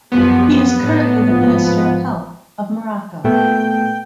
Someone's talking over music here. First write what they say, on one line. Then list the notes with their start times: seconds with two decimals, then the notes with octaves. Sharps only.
He is currently the Minister of Health of Morocco.
0.12 F#2 F3 G3 B3
0.81 A2 D4
1.28 G#1 F3
3.24 A#2 A3 B3 G5